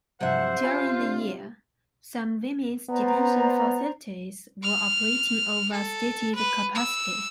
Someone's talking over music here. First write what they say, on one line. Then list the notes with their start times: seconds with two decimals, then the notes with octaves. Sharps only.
During the year, some women's detention facilities were operating over stated capacity.
0.21 G2 C3 F3 F#3 E4 C5 E5 F#5
0.64 F4 G#5 B5
1.00 C4 D4
2.90 B3 C5 D5 A#5
4.63 F6
5.73 A4
6.35 B4
6.75 E6